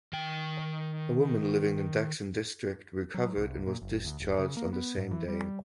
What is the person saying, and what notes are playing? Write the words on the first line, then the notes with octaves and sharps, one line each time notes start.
A woman living in Daxing District recovered and was discharged on the same day.
D#3 G5
F#3
C2
A#2
F#1
D2
D#1
C#3
A#3
B3
G#2
E3
G3